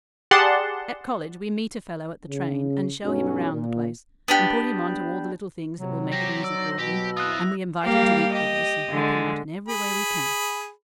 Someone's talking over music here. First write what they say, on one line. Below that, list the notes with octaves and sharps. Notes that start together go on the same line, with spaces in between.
At college we meet a fellow at the train, and show him around the place, and put him onto all the little things that will make it easy for him; and we invite him to eat with us, and help him out in every way we can.
G4 G#4 D5 F#5 A5 C6
C#3
B1 G2 F#3 C#4
A#2
B3 D4 G4
C3 F#3
C4 G4 A#6
D#4 C5 D5 E6
B2 F#3 G4
C4 E4 F4 D#6 F#6
G3 A#3 G4 F5
G4 D#5
D3 G#3
G#4 B5